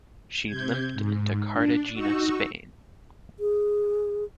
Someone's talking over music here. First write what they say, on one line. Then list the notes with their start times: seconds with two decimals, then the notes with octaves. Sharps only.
She limped into Cartagena Spain.
0.46 C3 G6 G#6
0.93 G#2
1.54 D4
1.93 D#4 F#4 C#6 E6
3.40 G#4